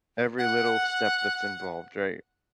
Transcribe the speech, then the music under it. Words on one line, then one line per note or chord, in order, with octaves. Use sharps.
Every little step that's involved, right?
F#5